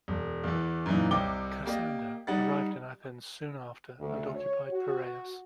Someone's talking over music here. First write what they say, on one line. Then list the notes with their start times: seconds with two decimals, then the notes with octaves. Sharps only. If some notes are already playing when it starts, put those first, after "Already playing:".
Cassander arrived in Athens soon after and occupied Piraeus.
0.08 E1
0.44 E2 E3
0.86 F#2 A#2 E3 D#4
1.11 C2 C3 D#5 G5 D6 G7
1.66 A#3 G4 D5 D#5
2.27 G3 D#4 F#5 A6
3.98 D2
4.34 C#5
4.71 F#4